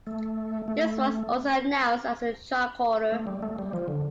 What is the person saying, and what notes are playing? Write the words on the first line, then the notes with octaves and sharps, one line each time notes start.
This was also announced as a "tricorder".
A3
A3
A3
G3
A3
G3
F3
D3